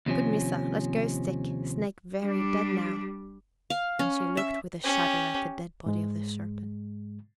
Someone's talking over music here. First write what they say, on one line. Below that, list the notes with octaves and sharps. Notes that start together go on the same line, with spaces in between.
"Good Missa, let go stick, snake very dead now," and she looked with a shudder at the dead body of the serpent.
D#2 C3 F3 C#4
G3 D4
F5
C#4
E5
C#4 G4
G#2 G#3